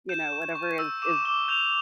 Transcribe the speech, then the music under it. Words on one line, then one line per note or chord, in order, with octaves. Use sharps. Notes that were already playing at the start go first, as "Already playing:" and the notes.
you know, whatever is is
G6 E7
C#6
C#6
E6
D6 E7
D6 G7
G6 F7